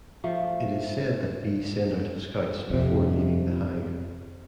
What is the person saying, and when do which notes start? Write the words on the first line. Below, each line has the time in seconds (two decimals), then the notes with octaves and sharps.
It is said that bees send out scouts before leaving the hive.
0.24 F3 A3
2.70 F2 C3